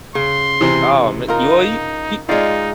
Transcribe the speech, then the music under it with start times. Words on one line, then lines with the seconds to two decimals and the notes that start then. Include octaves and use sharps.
Oh ma well, you you
0.15 C#3 C6
0.61 C3 E3 C5
1.28 D#4 F4 A#4
2.29 G#3 D#4 F4 D5 F5